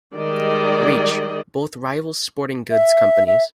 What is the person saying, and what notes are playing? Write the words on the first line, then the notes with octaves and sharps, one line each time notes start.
Reach, both rival sporting goods companies.
D#3 G3 G#3 D5 D#5
E5
E5